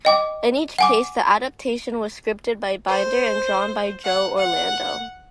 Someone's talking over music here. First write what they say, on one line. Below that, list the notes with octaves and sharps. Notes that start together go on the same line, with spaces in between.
In each case, the adaptation was scripted by Binder and drawn by Joe Orlando.
D#5 G5 D6
F#5 G#5 D6
C5
F#5
F#5